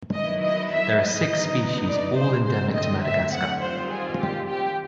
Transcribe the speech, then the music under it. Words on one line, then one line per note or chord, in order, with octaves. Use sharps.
There are six species, all endemic to Madagascar.
D#3 F#3 B3 E4 D#5
D#5
E5
D#5
D3 F#3 B3 D#4
D5
C5
D3 F#3 A3 C4 C5
D#5
E5
F#5
D#3 G3 C4 F4 C5
G#4
G4
G4